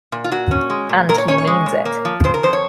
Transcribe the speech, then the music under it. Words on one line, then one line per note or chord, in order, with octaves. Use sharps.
And he means it.
A#2
F4
A#2 F#4
C#4
G#3
A#2
A#2 A#4
C#5
C#4 C#5
C#5
G#3
A#2
A#3
F3
C#3 C5
A#4
F2 C5
C#5